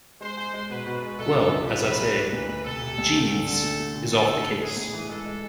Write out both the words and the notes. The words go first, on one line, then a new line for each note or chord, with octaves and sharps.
Well, as I say, Jeeves is off the case.
G#3 C5
G#4
G#3
B2 B4
B2
G#3
C2 A4
F3
C2
F3 B4
C3
C2
E3 B4
D2
D2
C3 A4
C3
D2
A3
D3
D3
A3
A3
D3
A2 A4
A2
G#3
G#3 G#4
A2
E3
G#3 A4
G#3